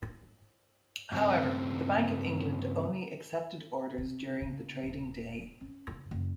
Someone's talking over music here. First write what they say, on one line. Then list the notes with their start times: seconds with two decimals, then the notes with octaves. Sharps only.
However, the Bank of England only accepted orders during the trading day.
1.12 G2 C#3 A3 C4
3.98 C3
4.42 C#3
4.83 D#1
5.61 C#4
5.90 C#3
6.11 F#1